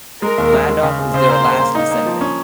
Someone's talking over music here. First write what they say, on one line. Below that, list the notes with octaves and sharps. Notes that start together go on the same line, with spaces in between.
Madoc is their last descendant.
G#3 A#4
D#2
G#3
G#3
C#3
C#3
C#3 C5
A#3
C#3
A#3
D#4
A#3
F3
C#4